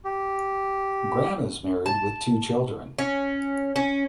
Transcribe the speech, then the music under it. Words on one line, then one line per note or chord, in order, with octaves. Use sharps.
Graham is married with two children.
G4
A5
C#4
C#4